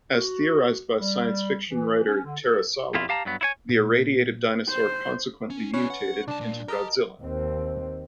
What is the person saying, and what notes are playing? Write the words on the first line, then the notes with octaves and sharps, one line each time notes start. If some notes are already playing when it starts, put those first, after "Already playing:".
As theorized by science fiction writer Terasawa, the irradiated dinosaur consequently mutated into Godzilla.
F#4
G3
E3
C#4
D3
A4
F2 B2 E4 F4
G4 F5 A5 A#5
G2 F#3 B3
E4 C#5 G#5
A#2
C5
C#4
C#4 E4 B4 C#5 D5
F#5
C2 D4 A5
A#2
G4 A#4 D#5 A5
D#2 C4